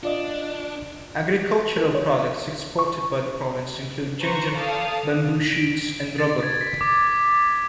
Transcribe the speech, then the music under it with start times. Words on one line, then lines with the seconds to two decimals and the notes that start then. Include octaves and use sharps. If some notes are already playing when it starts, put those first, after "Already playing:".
Agricultural products exported by the province include ginger, bamboo shoots, and rubber.
0.03 D4 F4 D5 D#5
1.77 A#4
1.95 C#5
2.79 C#6
4.22 B4 C5 A#5 C#6
4.55 A4 D5 F5 A5 D#6
5.53 D7
6.18 A6
6.43 G#6
6.61 B6
6.81 D6